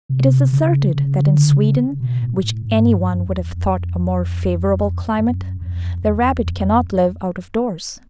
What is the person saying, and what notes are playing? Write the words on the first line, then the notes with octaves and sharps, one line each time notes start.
It is asserted that in Sweden, which any one would have thought a more favourable climate, the rabbit cannot live out of doors.
C3
C#3
C#3
D3
C#3
B2
A2
A2
G#2
G2
F#2
E2
F2
F#2
F2
E2
F2